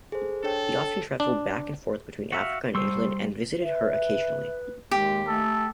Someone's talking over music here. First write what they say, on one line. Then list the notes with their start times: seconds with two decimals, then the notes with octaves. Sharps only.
He often travelled back and forth between Africa and England, and visited her occasionally.
0.12 G#4 A4 C5
0.43 D4 A4 C#5 G5
1.20 D4
2.33 F#4 E5 F5
2.75 G3 C5 C6 C#6 E6
3.63 B4 E5
4.91 D#2 G#3 G4
5.28 A3 A4